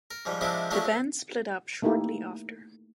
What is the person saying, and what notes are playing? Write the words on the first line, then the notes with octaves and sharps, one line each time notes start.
The band split up shortly after.
A#4
G#2 F3 G3
C3 F3 G#3 C4 D4 E4
F3 F#3 G#3 A3 C#4 D4
C4
A3 A#3 D#4 E4 G4